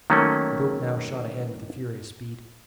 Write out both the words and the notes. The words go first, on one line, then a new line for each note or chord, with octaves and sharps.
The boat now shot ahead with furious speed.
D#3 F#3 A3 A#3 C#4